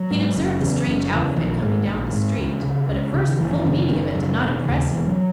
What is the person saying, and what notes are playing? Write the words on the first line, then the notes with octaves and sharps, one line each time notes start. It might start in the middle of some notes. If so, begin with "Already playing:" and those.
He had observed the strange outfit coming down the street, but at first the full meaning of it did not impress him.
Already playing: F#3
G#2
F#1
E2 C#3
F#1
E2 C#3
A#1 D#3
G#2
A#1
G#2
C#2
C#3
C#2
C#3
D#3
F#1 E3
E3
D#3
F#2 C#3
D#3
F#1 D#3
F#2 C#3
E1
D#2 C#3
E1 E3
F#3